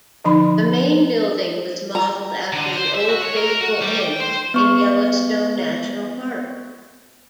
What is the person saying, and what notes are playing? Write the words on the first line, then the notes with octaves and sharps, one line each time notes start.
The main building was modeled after the Old Faithful Inn in Yellowstone National Park.
D3 F3 D#4 B5 C6
A#5
D3
C5
E5
F#4
C#5
A#4
F#4
G3
G5
C5
B3 C#6